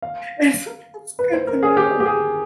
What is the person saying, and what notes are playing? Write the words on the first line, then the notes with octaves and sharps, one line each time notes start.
It's so it's good to know.
F5
B4
C5
A#4
G#4
G4
G4
G#4